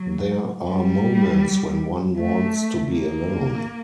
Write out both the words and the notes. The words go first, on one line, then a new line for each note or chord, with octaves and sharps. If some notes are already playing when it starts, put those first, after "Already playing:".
There are moments when one wants to be alone.
Already playing: F#3
G3
A3
A#3